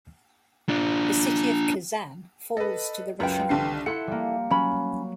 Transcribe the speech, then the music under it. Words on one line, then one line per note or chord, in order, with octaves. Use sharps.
The city of Kazan falls to the Russian army.
D4 F4
A4 B4 D#5
C#2 F#2 F4 B4 G5
C2 D3 C7
E4 A4 F#5 C6 F#6 C#7
G3 A#3
F#3 C#4 B5